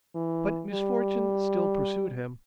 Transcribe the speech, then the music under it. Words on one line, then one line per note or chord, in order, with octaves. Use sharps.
But misfortune still pursued him.
E3
G3